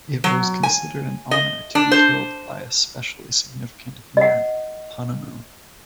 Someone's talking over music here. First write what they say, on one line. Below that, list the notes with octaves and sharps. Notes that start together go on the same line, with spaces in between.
It was considered an honour to be killed by a specially significant mere pounamu.
F#3
G#5
D#5
D4
C5
D#5 F#5